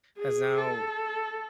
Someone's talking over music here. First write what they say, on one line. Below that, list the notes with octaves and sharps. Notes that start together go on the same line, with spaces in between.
has now
G#4
A4